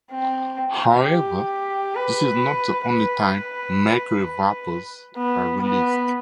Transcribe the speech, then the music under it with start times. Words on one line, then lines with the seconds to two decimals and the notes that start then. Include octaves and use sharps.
However, this is not the only time mercury vapors are released.
0.11 C4
1.03 G4
1.94 B4
2.86 B4
5.16 B3
5.61 B3